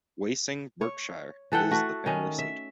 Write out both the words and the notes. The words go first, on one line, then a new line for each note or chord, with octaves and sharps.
Wasing, Berkshire, is the family seat.
C#5
E3 A4 F#5 G5
A3 F#4
D#3 C#4
E5